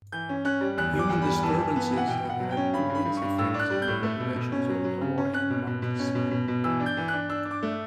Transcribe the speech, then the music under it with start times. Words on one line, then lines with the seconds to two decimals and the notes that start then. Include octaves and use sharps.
Human disturbances have had immense effects on the populations of the Hawaiian monk seal.
0.12 E3 G6
0.29 C#4
0.45 C#4 F#6
0.61 G3
0.77 E2 F#6
0.93 G3
0.99 D6
1.10 E2
1.22 G3 B5
1.43 E3 A5
1.59 E3
1.76 B3
1.91 E3
1.97 F#5
2.07 B2 G5
2.25 B2 F#5
2.40 F#3
2.51 G5
2.57 C#4
2.73 G2 B5
2.89 G2
2.95 B5
3.05 G2
3.17 G2 C#6
3.38 A2 E6
3.54 D4
3.59 F#6
3.70 G3
3.82 G6
3.88 A2
4.03 A3
4.20 B2
4.36 B2
4.52 C#4
4.69 F#3
4.84 F#3
5.01 C#3
5.18 C#4
5.34 C#4 F#6
5.50 B2
5.67 B2
5.82 B2
5.99 C#4
6.15 B2
6.31 B2
6.48 B2
6.64 E3 E6
6.80 D4
6.86 G6
6.97 E3
7.08 F#6
7.13 D4
7.29 D4 E6
7.45 D4
7.51 D6
7.63 A3